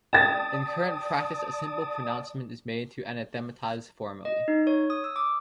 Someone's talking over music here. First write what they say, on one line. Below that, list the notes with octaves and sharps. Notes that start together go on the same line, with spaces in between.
In current practice a simple pronouncement is made to anathematize formally.
D5 G5 A5 D#6 A6
D#5
D#4
C#5
D#6
E6
D6